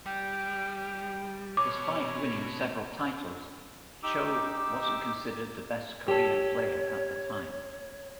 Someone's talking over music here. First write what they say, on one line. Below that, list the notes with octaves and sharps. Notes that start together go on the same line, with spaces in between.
Despite winning several titles, Cho wasn't considered the best Korean player at the time.
G3 G5
B2 C#5 D6
D#4 G4 D6 E6
G4 A4 C#5